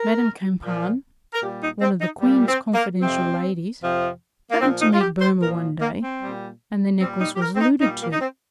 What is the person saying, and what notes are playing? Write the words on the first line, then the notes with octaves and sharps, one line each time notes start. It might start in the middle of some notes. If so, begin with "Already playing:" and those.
Madame Campan, one of the Queen's confidential ladies, happened to meet Boehmer one day, and the necklace was alluded to.
Already playing: A#4
A#2 F3
A#4
A#2 G3 G4
D#4
C4
D#4
A#2 G3
C4
A#3
F2 C3 F3 C4
F2 C3 F3
A#3
A#2 F3 C4
D#4
F4
G4
C5
A#2 F3 A#4
A#3
C4
A#2 G3
A#2 G3 C4
D#4
G4
A#4
C4
D#4
A#2 G3 D#4
A#3
D#4
C4